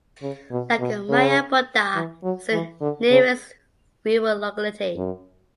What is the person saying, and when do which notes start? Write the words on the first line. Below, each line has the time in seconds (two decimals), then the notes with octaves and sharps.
Lakomaya Buda is the nearest rural locality.
0.22 C#3
0.51 B2
0.79 B2
1.09 C#3
1.95 E3
2.23 F#3
2.52 E3
2.81 D3
3.10 C#3
4.97 F#2